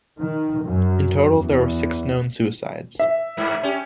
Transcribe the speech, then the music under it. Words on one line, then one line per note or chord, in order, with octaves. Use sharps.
In total there were six known suicides.
D#3
F#2
E2
E5
G2
C#4 G4